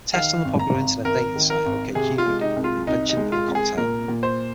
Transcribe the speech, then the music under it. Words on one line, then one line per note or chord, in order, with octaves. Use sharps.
Test on the popular Internet dating site OkCupid, and the invention of a cocktail.
D#3 F5
G#1
A#5
G#1
G#1 A#4
D#3
A#4
G#1
C3 G#4
F4
G#3
D#4
C2
F4
C2 D#4
D#4
G#3
F4
C2
G#4
A#2 A#4
A#2
C5